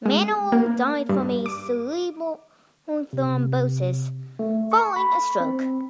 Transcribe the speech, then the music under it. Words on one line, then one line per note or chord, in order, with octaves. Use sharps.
Manilal died from a cerebral thrombosis following a stroke.
G#3
A#3
G2
D6
C3
A3
C#6
B5
C4